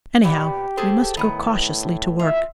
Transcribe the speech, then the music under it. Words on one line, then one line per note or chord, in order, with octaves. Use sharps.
Anyhow, we must go cautiously to work.
A#2 B3 G4 D5
G#4 A4 C5
A2 D#3 B3
F4 E5